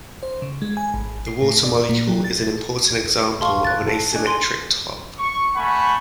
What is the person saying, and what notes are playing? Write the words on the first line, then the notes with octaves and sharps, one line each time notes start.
The water molecule is an important example of an asymmetric top.
C5
C#3
G#3
G#5
G#1
C7
A2
D5
A#2
F#3
A6
A6
A4 F5 C6 C#6
F#6 A6
A4
D4 G#4
G#5 C6
C#6
A3 F#5 G#5 B5 C#6